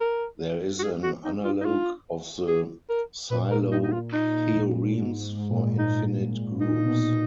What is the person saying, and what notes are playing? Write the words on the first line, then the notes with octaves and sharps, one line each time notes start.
There is an analogue of the Sylow theorems for infinite groups.
A#4
F#4
G#4
F#4
D#4
F4
D#4
F4
G#4
A#4
A#2 B4
A#4
D#4
D#4
F4
D#4
G#2
G#2
A#2
G#2
D#4
A#2 D#4
B2
A#2